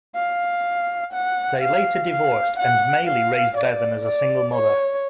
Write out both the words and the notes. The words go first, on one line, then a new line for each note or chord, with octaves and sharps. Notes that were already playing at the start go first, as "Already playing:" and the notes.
They later divorced and Maely raised Bevan as a single mother.
F5
F#5
F5
F5
F#5
F5
D5
D5
C#5